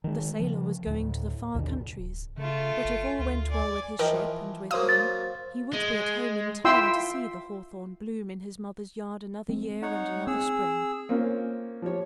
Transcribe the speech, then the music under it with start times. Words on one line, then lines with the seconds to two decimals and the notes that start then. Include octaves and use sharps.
The sailor was going to the far countries, but if all went well with his ship, and with him, he would be at home in time to see the hawthorn bloom in his mother's yard another year and another spring.
0.04 D#3 G#3
0.40 C#3 F3
0.86 D2 A2
1.54 A1 D#2 B2 D3
2.00 D1
2.37 C#3 A3 F4
2.84 G1
3.19 D2 F4
3.50 D5 G#5
3.99 E3 F3 A#4 D#5 G5
4.71 F#3 A#3 C5 F5 D#6
4.89 A6
5.73 G#3
6.65 E4 F4 E5 G5 C6 E6
9.49 G#3 C4
9.82 D#4 C#5 F#5
10.27 C4 G#4 E6
11.09 A#3 C4 C#4 F4 A#4
11.82 F3 G4 C#5